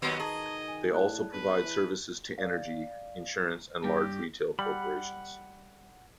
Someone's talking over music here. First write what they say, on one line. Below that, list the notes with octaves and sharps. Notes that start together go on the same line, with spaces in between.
They also provide services to energy, insurance and large retail corporations.
D#2 F#3 B3 D#5 C6
D#3 G#4 A5 A#5 C#6
G#5
A2 D5 A5 F#6
G1 B4
E3
D5 F5
G2 G4 A#6
G3 F#5 B5